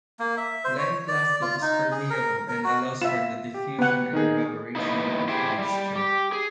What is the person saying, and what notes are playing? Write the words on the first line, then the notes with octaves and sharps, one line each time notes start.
Lime plaster is permeable and allows for the diffusion and evaporation of moisture.
A#3
E5
C5
C#5
D5
F4
D#4
G#4
A#4
A#4
F#4
F4 E5 E7
G4
B3 F#5
D#3 D#4 G#4
E3 A#3 B3 D#4 E4
E4 G4 G#4 C5 E5 G5
G3
G4
G#4